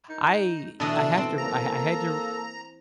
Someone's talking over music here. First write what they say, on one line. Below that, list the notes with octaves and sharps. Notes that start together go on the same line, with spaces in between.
I I have to I I had to
D#4
B2 E3 A3 D4 A4 D#5
C4
A#3 A#5